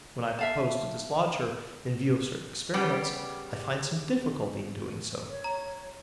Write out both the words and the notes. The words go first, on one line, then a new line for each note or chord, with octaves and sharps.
When I propose to dislodge her in view of certain experiments, I find some difficulty in doing so.
E5 F5 A5
C#3 G3 B3 G4
C#5
A#5